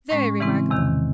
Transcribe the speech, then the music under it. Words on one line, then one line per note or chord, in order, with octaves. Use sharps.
Very remarkable!'
A2 G#3 C#4
C#3 E3 G#3 C4 E4
E2 C3 D#3